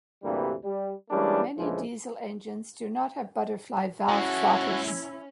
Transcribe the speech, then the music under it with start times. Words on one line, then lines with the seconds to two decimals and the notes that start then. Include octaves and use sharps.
Many diesel engines do not have butterfly valve throttles.
0.24 D2 G2 C3 E3 G3 A#3
0.64 G3
1.11 E3 G3 G#3 A#3 C#4 D4
1.57 A#1 F2 C#3 E3 F3 G#3
4.08 G#3 C#4 E4 F#4 A4